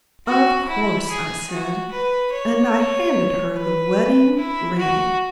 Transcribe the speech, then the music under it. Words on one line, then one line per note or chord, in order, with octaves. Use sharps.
"Of course," I said ... and I handed her the wedding-ring.
F#4
E4
G#4
F#4
B4
C#5
B4
E4
F#4